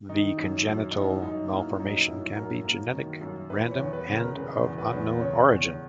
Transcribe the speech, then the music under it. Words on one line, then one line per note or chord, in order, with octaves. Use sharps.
The congenital malformation can be genetic random and of unknown origin.
D#3 D#4
F#2
F#2
D#4
F#2 E4
F#2 D#4
A#3 E4
F#2 D#4
F#2 E4
F#2 A#4
A#3
D#3
F#2
E3 B4
C#5
E2
B4
C#3
A#4
C#3 B4
E2
B4
E2
C#3 C#5
E2